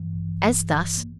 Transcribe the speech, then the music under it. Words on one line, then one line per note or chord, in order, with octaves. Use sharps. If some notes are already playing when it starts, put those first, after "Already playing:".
As thus.
Already playing: G2 E3
A1
A1
A#3